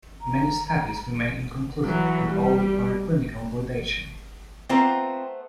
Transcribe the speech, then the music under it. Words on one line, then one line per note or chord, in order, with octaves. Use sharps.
Many studies remain inconclusive and all require clinical validation.
A#5
E3 F#3
G3
A3 B3 C4 F4 C5 A#5